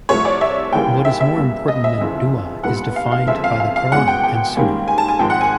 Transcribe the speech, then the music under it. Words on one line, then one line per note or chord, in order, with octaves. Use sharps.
What is more important than du'a is defined by the Quran and Sunnah.
C2 C3 F3 A3 C#5
D5
E5
D#2 C#3 E3 G3 A#3 G5
E5
E5
C#2 B2 G3 A#3
D#5
E5
G1 F2 C#3 E3
B1 A#2 G3 B3 F#5
F5
F5
G1 F2 C#3 E5
F5
F5
F5
F#1 E2 B2 G#3 C#4 F#5
G5
G5
G#2 D#3 G3 A#3 C#4
G#5
A5
G#5
G#1 G#2 F3 G#3 G5
F#5
G#5